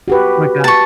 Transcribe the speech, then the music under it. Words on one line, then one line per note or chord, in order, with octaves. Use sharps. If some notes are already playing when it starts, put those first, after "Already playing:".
Oh my god.
F#4 G4 B4
A5 C#6